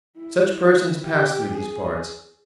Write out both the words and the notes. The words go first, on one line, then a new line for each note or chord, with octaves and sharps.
Such persons pass through these parts.
E4
G4
G#4